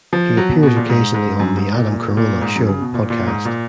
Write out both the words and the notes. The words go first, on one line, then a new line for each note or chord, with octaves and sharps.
He appears occasionally on "The Adam Carolla Show" podcast.
F3
F#3
B2
B2
A#2
G#2
G#2
F#2
G#2
A#2
A#2
A#2
G#2
F#2
C#3
B2
A#2
A#2
G#2
A#2